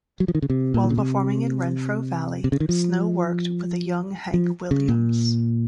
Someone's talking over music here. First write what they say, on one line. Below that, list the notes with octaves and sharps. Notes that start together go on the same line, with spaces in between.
While performing in Renfro Valley, Snow worked with a young Hank Williams.
F#3
F3
D#3
C#3
C3
A#2
D#3
C#3
C3
C3
C#3
D#3
F3
F3
C#3
A#2